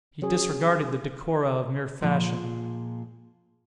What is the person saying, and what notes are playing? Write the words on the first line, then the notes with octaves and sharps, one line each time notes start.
He disregarded the decora of mere fashion.
F#3 C#4 G#4
A#2 F3 G#3